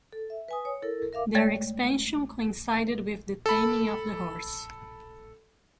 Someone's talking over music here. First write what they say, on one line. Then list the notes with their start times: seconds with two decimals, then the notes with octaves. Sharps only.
Their expansion coincided with the taming of the horse.
0.13 A4
0.30 E5
0.48 B4 G#5 D#6
0.65 C#5
0.82 E4 A4 A#4
1.13 A#4 E5 F5 D6
1.35 G#3 A3 C#5 D5 A#6
3.46 A4 B5